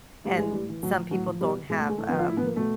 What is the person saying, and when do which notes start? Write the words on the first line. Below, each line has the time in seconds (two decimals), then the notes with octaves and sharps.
and some people don't have, um
0.24 A2 G3
0.38 E3 G#3
0.51 A2 G3
0.69 E3
0.83 A2 F#3
0.97 F3
1.11 A2 F#3
1.27 F3
1.40 B2 G3
1.69 B2 G#3
1.80 A3
1.89 G#3
1.98 A2 A3
2.08 B3
2.12 F3
2.18 F4
2.28 A2 E4
2.37 B3
2.42 F3 A#3
2.56 B2 A3